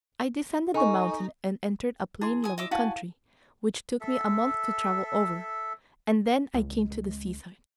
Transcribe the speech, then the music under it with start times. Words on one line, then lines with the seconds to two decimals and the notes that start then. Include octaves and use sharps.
I descended the mountain, and entered a plain level country, which took me a month to travel over, and then I came to the sea- side.
0.74 D#4 A4 G#5 C#6
2.21 E4 G#4 C6
2.44 G#5 D#6
2.58 D#5 E5 D6
2.71 E4 F#4 F5 G#5 A5
4.01 A4 E5
6.54 C#2 G#3